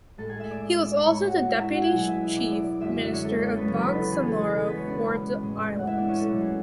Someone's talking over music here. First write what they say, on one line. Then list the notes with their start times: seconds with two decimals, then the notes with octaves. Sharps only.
He was also the Deputy Chief Minister of Bangsamoro for the Islands.
0.18 A2 G#3 A4 A5
0.29 G#4 G#5
0.40 E5 E6
0.50 D5 D6
1.05 A2 G#3 C#5 C#6
1.28 F#4 F#5
1.49 E4 E5
1.60 E4 E5
1.71 F#4 F#5
1.82 G#4 G#5
1.92 B2 F#3
2.07 E4 E5
2.36 D5 D6
2.51 D5 D6
2.80 F#2 D3 G#3 E5 E6
3.02 D4 D5
3.12 C#4 C#5
3.24 A4
3.36 A4
3.46 A4
3.57 B3 B4
3.68 E2 C#3 F#3 C#4 C#5
3.82 B3 B4
3.97 A4
4.12 G#4
4.27 A4
4.41 G#4
4.55 B2 G#3 A4
4.66 B3 B4
4.77 C#4 C#5
4.88 D4 D5
5.43 A2 G#3
5.79 F#5
5.87 E4 E5
5.98 D4 D5
6.08 C#4 C#5
6.19 A4
6.30 B2 F#3
6.41 G#4